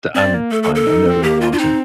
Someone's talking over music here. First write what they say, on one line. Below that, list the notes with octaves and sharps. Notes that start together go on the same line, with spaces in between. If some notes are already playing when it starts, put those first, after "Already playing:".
D I'm fine, I'm never gonna watch it.
C4 D5
A#3
A3 A4
A4
A#3
A4
D#4
C4
A#3 G4
F4
D4 F4
C4 D#4